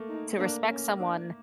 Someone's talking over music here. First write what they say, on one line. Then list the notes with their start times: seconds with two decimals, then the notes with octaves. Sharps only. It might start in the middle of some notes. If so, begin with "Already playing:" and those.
to respect someone
Already playing: A3 A#3
0.09 D#4
0.38 A#3 D4
0.69 C#4
1.00 D4